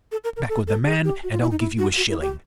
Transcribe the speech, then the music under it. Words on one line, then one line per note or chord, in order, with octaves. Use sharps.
Come back with the man, and I'll give you a shilling.
A4
A#4
A#4
A4
A4
G#4
G4
F#4
F4
E4
D#4
E4
F#4
F#4
E4
G4